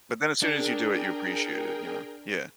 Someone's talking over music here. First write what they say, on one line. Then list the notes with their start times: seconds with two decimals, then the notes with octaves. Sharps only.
but, then as soon as you do it, you appreciate it, you know, yeah.
0.43 D4 G#4 A#4 G5